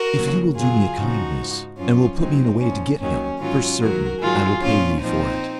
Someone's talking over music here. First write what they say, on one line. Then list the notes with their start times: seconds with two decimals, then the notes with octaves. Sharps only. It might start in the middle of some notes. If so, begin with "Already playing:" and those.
"If you will do me a kindness, and will put me in a way to get him, for certain I will pay ye for it."
Already playing: F#4 A#4
0.16 D#2 C#3 F#3
0.57 F#2 C#3 F#3 F4 G#4
0.97 F2 C#3 F3 D#4 F#4
1.39 G#2 F3
1.78 F#2 F3 C#4 F4
2.19 D#2 C#3 F#3 C4 D#4
2.60 A#2 F3 C#4
3.00 D#2 D#3 F#3 C#4
3.40 G#2 D#3 F#3 C#4 F4
3.81 F#2 D#3 F#3 F#4 A#4
4.22 G#2 D#3 F#3 F4 G#4
4.62 A#2 F3 C#4 F4
5.02 A#2 F3 C4 D#4